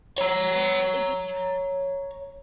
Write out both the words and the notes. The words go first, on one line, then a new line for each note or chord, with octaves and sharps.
and it just turned
C#5 A#5